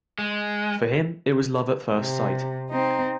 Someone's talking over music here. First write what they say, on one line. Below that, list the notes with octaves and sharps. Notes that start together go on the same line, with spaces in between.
For him, it was love at first sight.
G#3
C3
C4 D#4